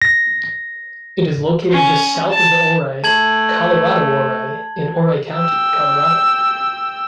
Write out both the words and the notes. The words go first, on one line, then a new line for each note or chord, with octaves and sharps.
It is located just south of Ouray, ColoradoOuray, in Ouray County, Colorado.
A#6
C#4
A5
A3 A5 G#6 F#7
G5 E6